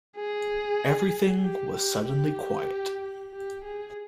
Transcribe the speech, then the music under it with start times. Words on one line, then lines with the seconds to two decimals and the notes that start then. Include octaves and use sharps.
Everything was suddenly quiet.
0.17 G#4
1.43 G4
1.75 G4
2.06 G4
3.32 G4
3.64 G#4